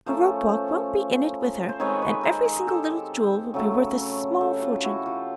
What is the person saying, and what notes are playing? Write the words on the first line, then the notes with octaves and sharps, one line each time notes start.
A rope-walk won't be in it with her, and every single little jewel will be worth a small fortune.
F3 A3 C#4 A#4 C5
C5
D#3 G#3 C4 B4 C#5
B4 C#5
A#4 C5
G#4 A#4
G4 A4
C#3 F#3 A3
G4 A4
F4
E4 F#4
F4 G4